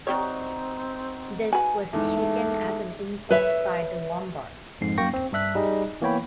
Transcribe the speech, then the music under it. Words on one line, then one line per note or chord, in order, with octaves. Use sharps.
This was taken as an insult by the Lombards.
G3 C4 D#4 F#4 G4 C#5
F#4 B4 G#5
E2 G#2 A3
B4 C#5 E5
F2 G#2 C7
F#2 A#3 G5 C#6 A#6
C4
G2 D4 E5 F#6 B6
G3 D#4 G#4 D#5
E3 A#3 B3 C#5 G5 B5